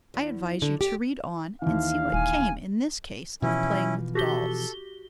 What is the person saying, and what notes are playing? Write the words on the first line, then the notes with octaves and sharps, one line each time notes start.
I advise you to read on, and see what came in this case of playing with dolls.
E2
D3
G4
D#2 E3 F5
D#1 G#5
B2 E3 F3 C#4 E4
F#4 G4 A4 G7